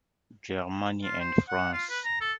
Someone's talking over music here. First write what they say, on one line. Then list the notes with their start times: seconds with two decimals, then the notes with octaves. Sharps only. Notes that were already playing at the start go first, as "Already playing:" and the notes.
Germany and France.
1.04 F4
1.20 C5
1.48 F#5
1.73 F4
1.90 B4
2.04 A#5
2.21 A4